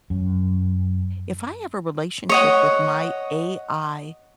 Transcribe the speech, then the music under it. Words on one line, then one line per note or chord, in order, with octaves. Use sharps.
if I have a relationship with my AI
F#2
C#5 D#5 F#5